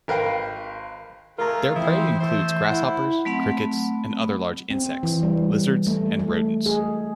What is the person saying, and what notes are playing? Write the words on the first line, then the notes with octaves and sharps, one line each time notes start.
Their prey includes grasshoppers, crickets and other large insects, lizards and rodents.
G#1 A#4 B4 F5 G5
A3 F4 G#4 A#4 A#5
E3 C4 E4 C5 D#6
A3 C5 E5
E4 F#5
F#3 A3 C4 F#5 B5
C4
E3
G3
A3
A3
G#4